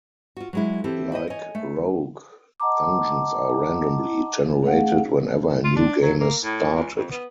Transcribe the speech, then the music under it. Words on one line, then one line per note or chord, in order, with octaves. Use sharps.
Like "Rogue", dungeons are randomly generated whenever a new game is started.
F4 F#4
F#3 G#3 E4
E3 C4 E4 G4 A4
E4 C5 D#5
C#5 D#5 G#5
A3
D#5 F#5 A5 A#5 D6
A3 C#4 G#4 F5 F#5
F4
D4
F#3
A#3
A2
C#2
F2
B3